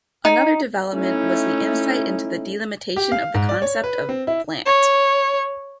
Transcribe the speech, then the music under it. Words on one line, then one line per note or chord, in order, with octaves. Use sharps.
Another development was the insight into the delimitation of the concept of 'plant'.
D#4
A3 C#4 D#4 E4
G4
F5
G#2
D5
C#5
B4
C4
E4
C#5